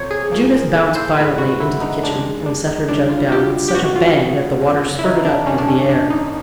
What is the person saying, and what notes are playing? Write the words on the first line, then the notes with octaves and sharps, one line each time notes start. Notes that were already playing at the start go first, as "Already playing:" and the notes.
Judith bounced violently into the kitchen and set her jug down with such a bang that the water spurted up into the air.
Already playing: C3 F3 A3 C5 C#5
G#4
A#2 F3 A#3
A4
C5
G#2 E3 G#3 B4
F#4
E4
D#4
F#2 D#3 G#3 D4
D4
D#4
C#2 C#3 E3 G3 D4
F4
F#4
G4
G4
C2 B2 G#3 B3 F#4
F4
F#1 F2 C#3
E4
D#4
D4
G#1 F#2 D#3 C#4
D4
C#4
D4
D#4